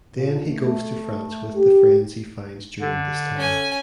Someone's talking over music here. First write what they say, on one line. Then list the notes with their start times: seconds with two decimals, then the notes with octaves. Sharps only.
Then he goes to France with the friends he finds during this time.
0.15 A#2
0.47 A3
1.55 G4
2.81 D3
3.36 C#4 G#5